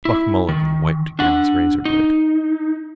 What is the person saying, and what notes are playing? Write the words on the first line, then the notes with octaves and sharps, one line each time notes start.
Buck Mulligan wiped again his razorblade.
E4
D#3
D4 F#5
D#4